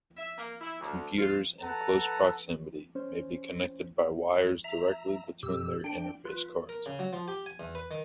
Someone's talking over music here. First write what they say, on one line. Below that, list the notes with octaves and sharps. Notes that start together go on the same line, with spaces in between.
Computers in close proximity may be connected by wires directly between their interface cards.
E5
A#3
E4
D2
F4
A4 B4 F#5 A5 A#5
C#4 C5
E5 A#5
F#2 B2 G4 E6
D4 G5
F4 B4
A#4
C#3
F#3
F3
G4
G#5
E2
B4
D#3